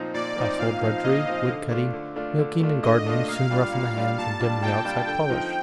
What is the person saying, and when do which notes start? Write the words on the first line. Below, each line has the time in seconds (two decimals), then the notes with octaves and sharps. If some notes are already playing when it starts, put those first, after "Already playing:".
Household drudgery, woodcutting, milking, and gardening soon roughen the hands and dim the outside polish.
Already playing: A#2 F3 C4 D#4
0.14 A#2 D5
0.36 F3 C4 D#4
0.59 A#2 F5
0.81 F3 C4 D#4
1.03 A#2 D#5
1.26 F3 C4 D#4
1.49 D3
1.71 A3 D4 F4
1.94 D3
2.16 A3 D4 F4
2.39 D3
2.60 A3 D4 F4
2.83 D3 D#5
3.06 A3 D4 F4
3.28 A#2 F5
3.51 G3 D4 F4
3.72 A#2
3.95 G3 D4 F4
4.18 A#2 A5
4.40 G3 D4 F4
4.62 A#2 G5
4.85 G3 D4 F4
5.07 D3 G5
5.30 F3 C4 D#4